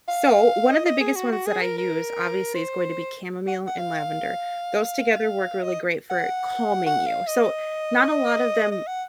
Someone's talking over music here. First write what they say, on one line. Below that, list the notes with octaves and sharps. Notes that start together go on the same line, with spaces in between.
So, one of the biggest ones that I use obviously is going to be chamomile and lavender. Those together work really great for calming you. So, not a lot of them
F5
D#5
D#5
G#4
F#4
F#4
G#4
A#4
A#4
C5
F#5
F#5
F5
D#5
F#5
F#5
F5
D#5
D#5
F#5